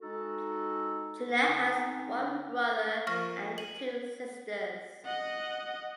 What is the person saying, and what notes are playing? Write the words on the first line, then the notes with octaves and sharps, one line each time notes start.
Jenna has one brother and two sisters.
G#3 D#4 F#4 A4
D3 C4 C#4 D#4
F3 A#3 C#6 F6 A#6
G#5 F#7
D#5 F#5